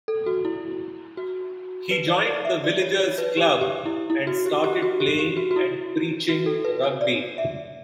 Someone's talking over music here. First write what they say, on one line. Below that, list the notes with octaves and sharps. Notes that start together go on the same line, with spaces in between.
He joined the Villagers club and started playing and preaching rugby.
A4
F#4
E4
F#4
B4
D5
D5
E5
D5
C#5
C#5
B4
G4
G4
E4
E4
F#4
G4
G4
F#4
G4
G4
F#4
F#4
E4
F#4
A4
B4
C#5
D5
E5